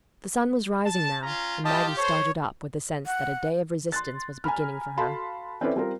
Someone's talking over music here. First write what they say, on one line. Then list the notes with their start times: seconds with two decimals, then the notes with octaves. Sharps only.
The sun was rising now, and Maggie started up with the sense that a day of resistance was beginning for her.
0.86 A5
1.22 C#4 F4 A#5
1.65 F4 G4 D#5 A5
1.97 A4 C5 C#5
3.06 F#5
3.92 C6 F#6 A6
4.44 G#5 A#5 B5 F6
4.97 F#4 A4 F5 A5 B5 C6
5.61 C4 C#4 E4 A4 B4 D5
5.76 G3 C4 F4 A#4